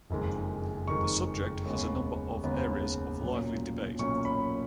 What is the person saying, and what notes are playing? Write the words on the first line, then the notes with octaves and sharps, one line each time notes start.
The subject has a number of areas of lively debate.
F#1 F2 D#3 G#3
F#1 F2 D#3 G#3 C#6
D#2 C#3 G#3 B3
D#2 C#3 G#3 B3
B1 A#2 F#3 C#4
B1 A#2 F#3 C#4 C#6
B5